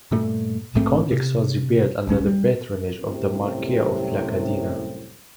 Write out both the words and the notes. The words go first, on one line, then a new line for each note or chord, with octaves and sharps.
The complex was repaired under the patronage of the Marquis of La Cadena.
G2 A#2 A3
A#1 G#2 A3 C4
C3
D1 A#1 G#3 C#4
G3
C2 F#2 A2 C3 F#3 C4